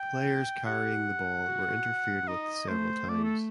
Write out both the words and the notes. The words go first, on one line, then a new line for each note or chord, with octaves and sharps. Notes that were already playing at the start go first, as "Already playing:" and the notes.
Players carrying the ball were interfered with several times.
Already playing: G5
G4 F#5
F#4
D#4 D#5
A3 C5
A3 D5
A4